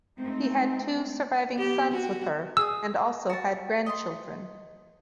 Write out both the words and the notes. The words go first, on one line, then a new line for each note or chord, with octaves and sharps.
He had two surviving sons with her and also had grandchildren.
G#3 A3 C4 D#4
B3 G4
F#4
G#4 D#6 E6
F#4 A5
D#5 C6